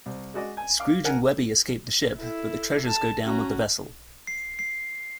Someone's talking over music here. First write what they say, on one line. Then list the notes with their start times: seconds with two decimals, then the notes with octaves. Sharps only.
Scrooge and Webby escape the ship, but the treasures go down with the vessel.
0.06 C2
0.34 G#3 F#4 D5 D#5
0.57 G#5
0.80 F5 D6
1.04 A#4 F#5 G#5 A#5
2.19 E4 A4
2.87 A5
3.25 C#4 F#4 A#5
4.27 C7
4.59 C7